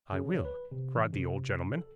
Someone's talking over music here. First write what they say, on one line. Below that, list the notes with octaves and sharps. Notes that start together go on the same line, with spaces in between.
'I will!' cried the old gentleman.
C#3
C#5
B4
C3
E3
C3
A4